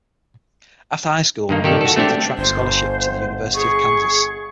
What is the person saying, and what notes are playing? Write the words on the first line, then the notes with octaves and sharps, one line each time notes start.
After high school, Greene received a Track scholarship to the University of Kansas.
G2 D#3 A#3
D#3 G4 A4 D5
F#4 A4
A3 C4 D4 G4
G1 C5
G#4 C#6